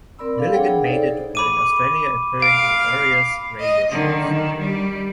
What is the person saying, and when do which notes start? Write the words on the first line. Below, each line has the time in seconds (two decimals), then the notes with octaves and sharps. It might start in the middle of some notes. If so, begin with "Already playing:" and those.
Milligan made it while in Australia appearing on various radio shows.
0.19 C4 A#4 D5 B5 E6
0.38 D4 A4 F5
0.53 G#4 C#5 F#5 G5
0.68 G#4
0.85 D#4 A4 C5 D5
1.35 B5 D6 D#7
2.42 F5 D7
3.61 D#5
3.91 D3 D#3
4.28 D#3
4.59 G3